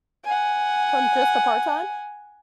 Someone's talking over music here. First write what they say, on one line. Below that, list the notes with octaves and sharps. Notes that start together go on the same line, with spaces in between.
From just a part-time? uh
F#5 G#5